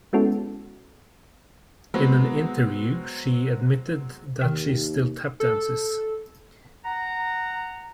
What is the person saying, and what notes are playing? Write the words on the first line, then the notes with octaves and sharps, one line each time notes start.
In an interview, she admitted that she still tap dances.
G#3 B3 C#4 E4 F#4 A4
F#3 G#3 B3 C4
D#2 D#3
A4
F#5 A#5